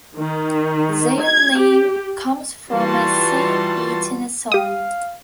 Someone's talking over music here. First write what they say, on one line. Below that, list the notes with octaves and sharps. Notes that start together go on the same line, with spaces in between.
Their name comes from a Saint Etienne song.
D#3
G#6
G4
E3 G3 F4 F#4 A5 C6
G4 F5 D#6